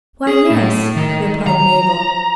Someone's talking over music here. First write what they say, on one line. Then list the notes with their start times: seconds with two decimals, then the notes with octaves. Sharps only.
"Why, yes," replied Mabel.
0.27 G#4
0.50 A2
0.96 D#3
1.47 A#5